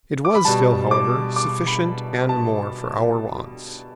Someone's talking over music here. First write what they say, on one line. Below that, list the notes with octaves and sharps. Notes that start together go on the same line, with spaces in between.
It was still, however, sufficient, and more, for our wants.
D6
B5
B2 G3 A5
D6
D6
B5
A5